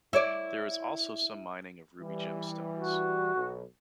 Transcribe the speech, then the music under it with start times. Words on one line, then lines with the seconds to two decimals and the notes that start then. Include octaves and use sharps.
There is also some mining of ruby gem stones.
0.13 E4 C#5 D5
2.01 E3 G3
2.76 F#4
3.35 B1